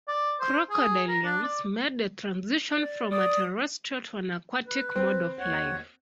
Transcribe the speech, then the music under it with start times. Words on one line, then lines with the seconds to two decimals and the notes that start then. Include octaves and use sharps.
Crocodilians made the transition from a terrestrial to an aquatic mode of life.
0.08 D5
0.40 C5
0.70 G#4
1.08 A#4
1.24 D4
1.44 D5
2.72 D5
3.11 D5 D#6
4.67 B4
4.96 C4
5.39 D#2 C#5 F#5